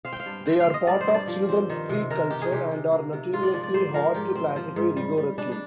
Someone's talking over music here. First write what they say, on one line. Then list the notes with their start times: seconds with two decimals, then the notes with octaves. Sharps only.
They are part of children's street culture, and are notoriously hard to classify rigorously.
0.05 C4 F5
0.13 G5
0.20 F5
0.26 G2
0.46 C4 G5
0.60 F5
0.67 C4
0.74 D#5
0.87 G2 D5
1.01 C5
1.08 G2
1.14 D5
1.28 F3
1.49 C4
1.70 D#3
1.89 C3
2.10 D#3 A#4
2.30 D#3 G4
2.42 G#4
2.51 C3 G4
2.71 C3
2.91 A#3
3.13 C3
3.33 G#2 F4
3.43 D5
3.53 F3 D5
3.63 D5
3.74 G#2 C5
3.94 F3 A#4
4.14 G#2 G4
4.35 C4
4.56 F3
4.76 G#2
4.97 G3
5.17 G3
5.38 G3 D4
5.52 D4